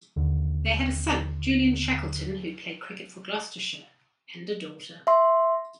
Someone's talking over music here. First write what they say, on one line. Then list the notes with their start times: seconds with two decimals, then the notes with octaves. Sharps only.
They had a son, Julian Shackleton, who played cricket for Gloucestershire, and a daughter.
0.16 D#2 D3
5.07 E5 C6